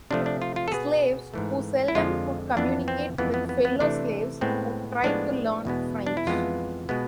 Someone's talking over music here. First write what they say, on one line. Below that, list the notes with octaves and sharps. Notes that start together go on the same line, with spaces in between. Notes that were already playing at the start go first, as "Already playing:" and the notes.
Slaves who seldom could communicate with fellow slaves would try to learn French.
C3 F3 A3 D4
D4
F4
F4
A4
B2 B3 G#4
G#2 E3 A3
E4
F2 D3 F3 G#3 F4
F2 E3 B3 D4
C4
F2 E3 G#3 B3
B3
B3
B3
C3 E3 A3 D4
A2 G#3 B3 C4
A2 F3 G#3 B3 D4
E2 B2 G#3 B3
D4
E4
F2 E3 G#3 B3 F4
B2 G#3 B3